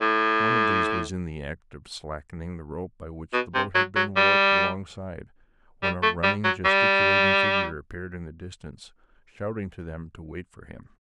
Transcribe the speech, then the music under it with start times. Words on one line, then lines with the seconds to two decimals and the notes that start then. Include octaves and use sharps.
One of these was in the act of slackening the rope by which the boat had been warped alongside, when a running, gesticulating figure appeared in the distance, shouting to them to wait for him.
0.01 A2
3.33 B2
3.55 C3
3.75 F#3
3.96 F#3
4.16 G3
5.83 G3
6.03 A3
6.24 G3
6.44 F#3
6.65 G3